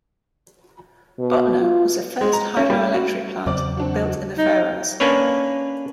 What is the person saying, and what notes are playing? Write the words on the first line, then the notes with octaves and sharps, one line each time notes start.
Botnur was the first hydroelectric plant built in the Faroes.
B2
F4
G#3
A#5
C#4
G3
F#4
E2 C#3 F#3 C4 D5 D6
C4 D4 F#4
D#4
A#3 C#4 D4 B4 C#5